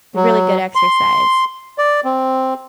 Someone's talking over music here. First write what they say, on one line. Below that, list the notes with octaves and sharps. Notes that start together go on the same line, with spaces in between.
Really good exercise.
F#3
C6
D5
C4